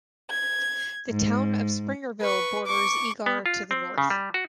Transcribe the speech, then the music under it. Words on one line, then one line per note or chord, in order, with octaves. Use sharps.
The town of Springerville borders Eagar to the north.
G#6
G#2
B4 C#6
C#6 D6
B3
F4
C4
C#3
G3
F#4